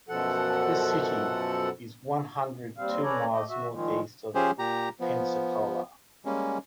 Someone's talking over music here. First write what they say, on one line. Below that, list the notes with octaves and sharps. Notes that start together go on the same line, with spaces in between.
This city is one hundred two miles northeast of Pensacola.
F#2 B2 F3 A4 F#5
D#2 G3 C4 F5
C#4 A4 B4 C#5 D5 A#5
A3 G4 D#5
F#4 E5
A#2 D#3 F3 G#3
F3 C#4 G4 G#4 C5
A#2 G4 A#5
F3 B3
G3 G#3 A#3 C#4